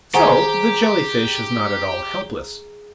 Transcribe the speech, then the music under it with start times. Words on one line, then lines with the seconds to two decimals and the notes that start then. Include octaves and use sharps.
So the Jelly-fish is not at all helpless.
0.14 D#3 G4 G#4 F#5 G#5 A#5